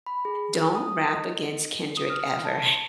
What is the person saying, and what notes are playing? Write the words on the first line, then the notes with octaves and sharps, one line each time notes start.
Don't Rap Against Kendrick Ever.
B5
G#4
D#6
D#5
D#6
F6
A5